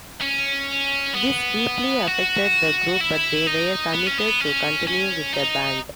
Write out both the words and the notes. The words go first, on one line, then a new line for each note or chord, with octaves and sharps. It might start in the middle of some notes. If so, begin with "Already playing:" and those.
This deeply affected the group, but they were committed to continue with the band.
C#4
B3
F#4
E4
D#4
B3
C#4
B3
C#4
C#4
D#4